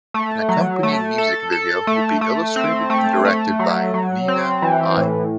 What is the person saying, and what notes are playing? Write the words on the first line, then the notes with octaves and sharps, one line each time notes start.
An accompanying music video will be illustrated and directed by Niina Ai.
A3
F#3
A3
A4
A4
A3
A3
C4
A3
A3
F#3
F#3
C4
E3
A2